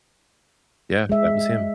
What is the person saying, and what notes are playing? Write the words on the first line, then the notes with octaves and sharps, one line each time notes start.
Yeah, that was him.
G#3 E5